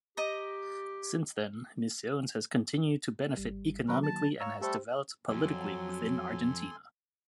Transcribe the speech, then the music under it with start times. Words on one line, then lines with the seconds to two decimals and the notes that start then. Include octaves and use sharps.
Since then, Misiones has continued to benefit economically and has developed politically within Argentina.
0.17 G4 D#5 A#5
3.37 G#1 G3
3.88 D#3 F#3 A#3 C#4 A#4 B4
4.03 A5
4.40 C#5 F5 A#5 E6
4.61 G3 A3 G4 A4 C5
5.29 F2 F#3 A4 G#5 C6